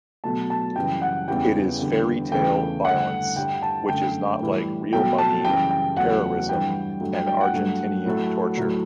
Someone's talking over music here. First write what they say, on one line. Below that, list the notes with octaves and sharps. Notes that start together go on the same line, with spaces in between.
It is fairy-tale violence, which is not like real mugging, terrorism and Argentinean torture.
B2 F#3 A3 A5
A5
F#2 C#3 E3 G3 G5
F#5
E2 C#3 E3 G3 G5
E2 D3 G3
E2 C#3 E3 A3 G5
G2 D3 A3 F#5
G2 D3 G3 G5
A5
F#2 D3 A3 G5
A2 E3 G3
B2 F#3 A3 G5
A5
F#2 C#3 E3 G3 G5
G5
E2 C#3 F#3 A3 F#5
G2 E3 G3 G5
G2 F#3 A3
G5
G5
F#5
G2 F#3 A3
A2 F#3 A3
A2 F#3 A3